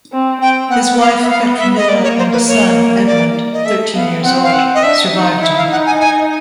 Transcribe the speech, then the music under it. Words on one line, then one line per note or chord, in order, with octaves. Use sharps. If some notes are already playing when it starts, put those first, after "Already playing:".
His wife Petronilla and a son, Edmund, thirteen years old, survived him.
C4
C4 G5
B3 F#5
F5
E5
F5
E5
D#5
A#3 D5
C#5
C5
B4
C#5
D5
D#5
A3 E5
B3 F5
C4 F#5
F5
F#5
D#5
D4 E5
D#4
E4 E5
F5
D#4 F#5
G#5
G#5